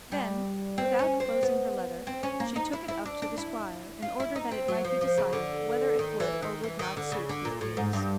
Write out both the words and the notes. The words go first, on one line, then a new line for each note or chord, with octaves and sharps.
Then, without closing her letter, she took it up to the squire in order that it might be decided whether it would or would not suit his views.
G3
C4
C#4
C4
B3
C4
C#4
A#3
D#4
E4
E4
D4
D4
E4
F4
E4
D#4
C4
F#3
F3
F3
C#3
D3
D#3
E3
D#3
E3
D#3
D3
C#3
D3
A#2
A2
G#2
G2